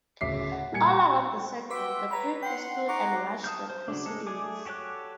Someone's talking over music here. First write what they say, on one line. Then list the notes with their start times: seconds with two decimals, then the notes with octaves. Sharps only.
All around the circle, the people stood and watched the proceedings.
0.21 D1 C#3 E5 D6 B6 C7
0.52 F#5
0.72 A#2 G3 G4 G#5 G#6 C#7
1.70 F#4 B4 E5 G5 C6 D6
2.11 B4 C#5 A#5 B5
2.43 F#5 G5 C6
2.89 D#4 F#5 A#5 C#6 D6
3.44 A5 D#6 F6 G6
3.70 C5
3.88 C#3 F#3 D4
4.06 G#3 A4
4.27 A3 G#4 D5 G#5 D6
4.65 F#4 G4 A4 C#5 F#6